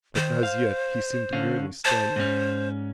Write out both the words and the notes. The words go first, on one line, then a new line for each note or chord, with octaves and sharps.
But as yet he seemed merely stunned.
D#3 C5
F5
D3 C#4 F5
C5 A5
G#2 C#4